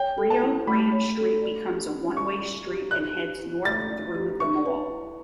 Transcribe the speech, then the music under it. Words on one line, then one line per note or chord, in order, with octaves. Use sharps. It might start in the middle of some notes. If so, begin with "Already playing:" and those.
Rio Grande Street becomes a one-way street and heads north through the mall.
Already playing: C#5 G5
A4
A5
E4
A3 B5
C#5
A4
D5
G4
C#4
G3 C#6
D5
G4
D5 F#6
G4
E4
A3 A6
D5
G4
E5 C#6
B4
E4